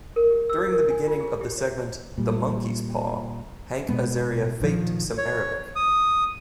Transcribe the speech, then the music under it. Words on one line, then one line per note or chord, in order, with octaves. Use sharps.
During the beginning of the segment "The Monkey's Paw", Hank Azaria faked some Arabic.
A#4
G4
E6
A#4
G#5
F4
G#4
G4
C#5
A#2 G3
B2 G#3 B3
A#1 D#3 F3
C#5
D#6